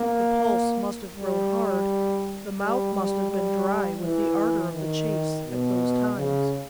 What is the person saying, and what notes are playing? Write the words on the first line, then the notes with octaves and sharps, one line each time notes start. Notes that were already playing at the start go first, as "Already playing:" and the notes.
The pulse must have grown hard, the mouth must have been dry with the ardor of the chase, at those times.
Already playing: A#3
G3
G3
G3
G3
E3
D#3
B2
C#3